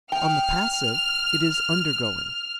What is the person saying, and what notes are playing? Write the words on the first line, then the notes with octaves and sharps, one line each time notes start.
On the passive, it is undergoing.
G5 F6